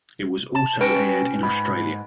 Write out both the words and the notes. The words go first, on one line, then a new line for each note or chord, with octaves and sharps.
It was also aired in Australia.
A5
C#4 F#4 B4 G5
G#2 B5